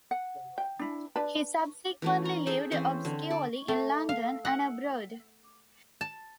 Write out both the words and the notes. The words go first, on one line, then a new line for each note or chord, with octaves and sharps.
He subsequently lived obscurely in London and abroad.
F#5
G5
D4 E4
D4 B4 A5
E3 A3 C#4
A#5
D#4 G#4 A4 E5
E3 C4 C#4 C5
D3
A4 D5
A3
F5
F#5
A5